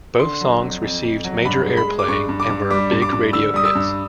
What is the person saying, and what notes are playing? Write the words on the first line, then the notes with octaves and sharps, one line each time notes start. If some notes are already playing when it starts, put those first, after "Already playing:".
Both songs received major airplay and were big radio hits.
D3 C6
F#3
F2
F2
F2
F#3
G2 B5
G#3
B5
G#3
D6
G2 C#6
G2
D6
G2
G3 D6
G2
D6
G2
D3 E6
G3 D#6
E6
G2